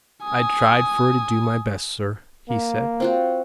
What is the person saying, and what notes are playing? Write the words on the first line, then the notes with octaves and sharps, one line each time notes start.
"I tried fer to do my best, sir," he said.
G#5 D#6
A#3
C4 F4 F#4